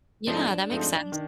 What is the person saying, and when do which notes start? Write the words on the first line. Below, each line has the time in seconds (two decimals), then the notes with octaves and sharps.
Yeah, that makes sense.
0.27 G#2 F3 A3 C4 D4 D#4
0.70 G#2 F3 A3 C4 D#4
1.12 D#3